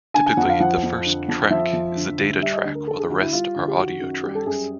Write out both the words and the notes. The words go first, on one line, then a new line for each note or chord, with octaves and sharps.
Typically the first track is a data track while the rest are audio tracks.
D3 G#5
G#5
F2 F#5
F5
F3 F#5
F2
D3
F2
F3 E5
F2
D3
D2
G3 E5
D#5
D2
A#4
D3 A4
G#4
D2 F#4
E4
G3 F4
D2
G4
D#3 F#4
F#2
G3 G4
A4
F#2 G#4